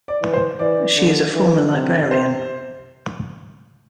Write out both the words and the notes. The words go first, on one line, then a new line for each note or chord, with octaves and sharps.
She is a former librarian.
D5
E3
C5
E3 D5
D3
E3
C3
C3 C5